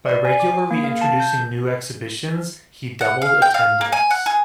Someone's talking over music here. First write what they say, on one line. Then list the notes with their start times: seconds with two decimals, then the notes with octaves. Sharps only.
By regularly introducing new exhibitions he doubled attendance.
0.06 D5
0.25 G#5
0.40 D6
0.71 A#3
0.84 F5
1.01 A5
1.20 G6
3.01 F#5
3.22 F5
3.42 G5
3.54 F5
3.81 A#3
3.92 G#5
4.11 F#5
4.26 G#4